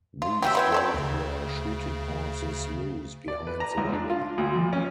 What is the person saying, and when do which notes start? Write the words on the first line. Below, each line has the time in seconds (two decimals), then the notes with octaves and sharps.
These drove their shooting-horses loose behind the wagon.
0.22 F4
0.42 F#3 F4 G4 E5 G5 G#5
0.55 B3 E4 C#5 G5
0.72 A4 C5 D5
0.94 D2 C#3
3.28 D5
3.47 B4
3.60 A#5
3.77 C#2
3.93 D4
4.10 F4
4.38 D2
4.56 F2
4.73 C#4